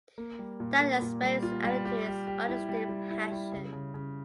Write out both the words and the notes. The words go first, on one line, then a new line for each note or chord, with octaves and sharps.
That experience added to his artistic passion.
A#3
G3
A#2
A#3
A#2
G3
F4
G3
G4
G4
G4
E4
G3
G3
E4
G3
C#3
C#3
C#3